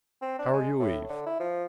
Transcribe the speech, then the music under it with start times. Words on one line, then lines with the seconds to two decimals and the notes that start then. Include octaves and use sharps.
"How are you, Eve?"
0.22 C4
0.39 D4
0.53 G#3
0.80 A2
1.10 D3
1.26 E4
1.40 F3